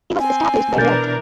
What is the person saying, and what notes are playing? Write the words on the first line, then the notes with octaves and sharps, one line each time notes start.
It was established by Revd.
C4 G#5
B2 E3 D4 A#4 G6 A6